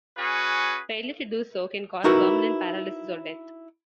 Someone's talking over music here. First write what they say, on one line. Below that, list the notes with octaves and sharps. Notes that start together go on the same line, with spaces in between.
Failure to do so can cause permanent paralysis or death.
C#4 F#4 G#4 B4
D#4 E4 F#4 A#4 B4